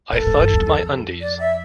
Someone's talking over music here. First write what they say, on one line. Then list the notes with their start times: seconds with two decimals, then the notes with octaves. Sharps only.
I Fudged My Undies!
0.13 A2 A4 B4
0.27 A2
0.40 G2
0.54 E2
0.66 F2
1.22 D5
1.40 E5